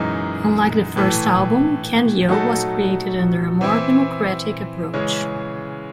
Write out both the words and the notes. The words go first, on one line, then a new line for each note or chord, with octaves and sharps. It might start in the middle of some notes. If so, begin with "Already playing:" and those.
Unlike the first album, "Candy-O" was created under a more democratic approach.
Already playing: F#2 E3 G#3 D#4
A2 E3 A3
F#3 A3 D#4 F#4 A4
E3 C4 E4
C#3 E3 G#3 C#4